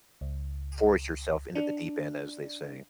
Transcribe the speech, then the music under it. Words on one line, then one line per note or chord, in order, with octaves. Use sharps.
force yourself into the deep end, as they say.
C#2
D4